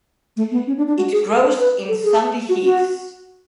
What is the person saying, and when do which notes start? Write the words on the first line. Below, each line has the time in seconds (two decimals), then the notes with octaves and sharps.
It grows in sandy heaths.
0.37 A3
0.51 B3
0.67 C#4
0.77 D4
0.88 D4
0.97 F#4
1.12 G#4
1.28 A4
1.58 B4
1.88 A4
2.04 G#4
2.49 F#4
2.65 F#4